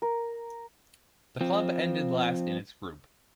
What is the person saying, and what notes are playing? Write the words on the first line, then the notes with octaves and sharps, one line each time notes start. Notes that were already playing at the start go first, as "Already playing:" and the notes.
The club ended last in its group.
A#4
F3 C4